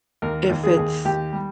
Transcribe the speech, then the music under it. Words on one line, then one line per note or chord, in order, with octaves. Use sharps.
if it's
D#2 A#4
D#2
G#4
D#2
D#2 G4
G3